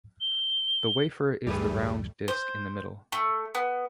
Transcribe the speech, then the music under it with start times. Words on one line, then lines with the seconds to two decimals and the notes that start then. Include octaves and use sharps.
The wafer is the round disc in the middle.
0.21 G7
1.47 D1 A1 G2 G3 A3 G4 G#4 B4
2.28 C5
3.12 A3
3.55 B3